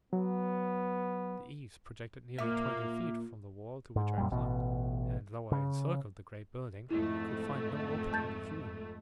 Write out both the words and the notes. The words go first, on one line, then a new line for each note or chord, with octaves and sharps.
The eaves projected nearly twenty feet from the wall to which I clung, and though I encircled the great building I could find no opening through them.
F#3 B3
A#2 A#3 E5 D6 F6
G#2
F#2 A#2 G3
A1 B2
C#3
F2 G#2 A3 E4
A5 G6 A6